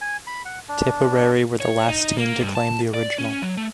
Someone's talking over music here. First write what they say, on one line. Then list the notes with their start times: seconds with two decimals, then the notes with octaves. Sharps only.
Tipperary were the last team to claim the original.
0.01 G#5
0.27 B5
0.45 F#5
0.68 D4
1.60 C#5
1.88 D#4
2.18 A#3
2.43 G2
2.55 A5
2.94 D5
3.18 C#4
3.42 F#3
3.57 A3